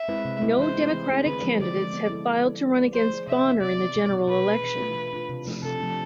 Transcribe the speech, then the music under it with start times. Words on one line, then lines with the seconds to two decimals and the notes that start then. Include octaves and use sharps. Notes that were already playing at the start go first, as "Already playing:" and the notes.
No Democratic candidates have filed to run against Bonner in the general election.
Already playing: E5
0.08 G#3 C4 E4 B4
0.25 C3
0.42 G#3 C4 E4 B4
0.58 E3 C5
0.76 A3 C4 E4 G#4
0.93 E3
1.09 A3 C4 E4 G#4
1.26 D3 B4
1.42 F3 G#3
1.60 D3 D5
1.77 F3 G#3
1.93 B3
2.10 E4 A4 D5
2.27 B3
2.44 E4 A4 D5
2.61 F3
2.78 A3 E4 G#4 D5
2.94 F3 C5
3.10 A3 E4 G#4 D5
3.27 C3 E5
3.44 E3 B3 E4
3.61 C3 D5
3.79 E3 B3 E4
3.95 B2
4.11 B3 D4 G#4
4.28 B2 B4
4.46 B3 D4 G#4
4.63 E3
4.79 A3 D4 F4
4.95 E3
5.13 A3 D4 F4
5.29 C3
5.47 F3 A3 D4
5.63 C3 A4
5.80 F3 A3 D4